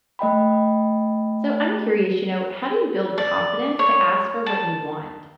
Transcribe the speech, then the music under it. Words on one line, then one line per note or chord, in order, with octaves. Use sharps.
So, I'm curious, you know, how do you build confidence to ask for what you want?
A3 D#5 G5 B5
D5
C#5
A5